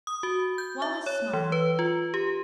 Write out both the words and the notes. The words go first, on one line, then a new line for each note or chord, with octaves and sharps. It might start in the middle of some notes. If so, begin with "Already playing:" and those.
Wallace smiled.
D#6
F#4
G6
E5
C#5
E3
B4
F4
G4